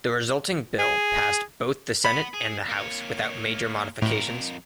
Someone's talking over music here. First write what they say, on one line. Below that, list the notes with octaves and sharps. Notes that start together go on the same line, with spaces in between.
The resulting bill passed both the Senate and the House without major modifications.
G#4
B3 B5
G#4
A#3 C#5
F2 A2 A#4